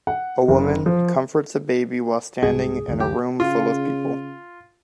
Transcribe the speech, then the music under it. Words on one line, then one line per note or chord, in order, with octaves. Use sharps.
A woman comforts a baby while standing in a room full of people.
F#5
F#1
F3
C2 G#2 G#4
C#2 F#2 D#3
G4
C#3 F4